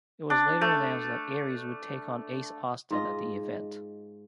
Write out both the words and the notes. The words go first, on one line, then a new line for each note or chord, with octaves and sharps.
It was later announced that Aries would take on Ace Austin at the event.
D4
A3
G#2 F4 D#5